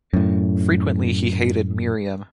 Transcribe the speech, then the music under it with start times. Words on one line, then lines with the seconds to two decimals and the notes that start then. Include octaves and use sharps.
Frequently he hated Miriam.
0.13 F#2 A2